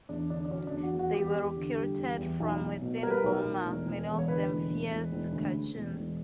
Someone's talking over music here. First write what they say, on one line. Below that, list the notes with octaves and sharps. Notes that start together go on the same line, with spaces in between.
They were recruited from within Burma, many of them "fierce Kachins".
E2 D4
D3 D4
D4
F#3 C#4
D4
E2
F#4
E2
F#4
E2 G4
E2
D3
G3
E2
E2
B1
B1
B2
G3 A#4
B4
A#4
B1
B1
E1
E1
E2
C#5
D3 B4
E1
E1
E1
E1
D2
C#3
E1
E1